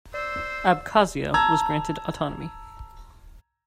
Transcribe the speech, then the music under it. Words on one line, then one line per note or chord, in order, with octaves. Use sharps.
Abkhazia was granted autonomy.
C5 D5 E6
A5 A#5 E6 G#6